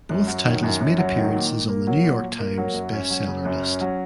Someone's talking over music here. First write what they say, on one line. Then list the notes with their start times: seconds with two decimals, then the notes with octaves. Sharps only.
Both titles made appearances on the "New York Times" Best Seller list.
0.09 F#2
0.27 F#3
0.46 D#3
0.63 F#2
0.81 F#2
0.98 F#3
1.16 D#3
1.34 A#2
1.51 A#2
1.69 A#3
1.87 F#3
2.03 A#2
2.22 A#2
2.39 A#3
2.58 F#3
2.74 F#2
2.93 C#4
3.10 F#3
3.28 C#3
3.45 F#2
3.63 C#4
3.81 F#3